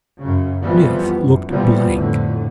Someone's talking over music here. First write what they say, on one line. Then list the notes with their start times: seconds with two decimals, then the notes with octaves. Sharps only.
Smith looked blank.
0.20 F#2 C#3
0.62 F2 E3 F3 G3 B3
1.21 F#2
1.51 A#2 E3 F3 G3 B3
1.93 F2 A2 D3